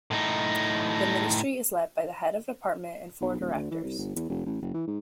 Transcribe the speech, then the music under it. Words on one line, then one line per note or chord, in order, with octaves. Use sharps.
The Ministry is led by the Head of Department and four Directors.
A2 D#4
B1
D#1
D2
E3
C2
G1
E2
F1
A1
F#1
E3
G#2